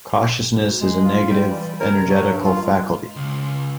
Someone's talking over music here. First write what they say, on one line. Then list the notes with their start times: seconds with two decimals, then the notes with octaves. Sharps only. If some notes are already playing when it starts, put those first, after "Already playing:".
Cautiousness is a negative energetical faculty.
0.58 D2
0.80 G#3
1.05 F4
1.29 G3
1.49 E3
1.80 A#4
1.95 C3
2.08 F#3
2.30 G2
2.44 F4
2.62 G#3
3.16 C#2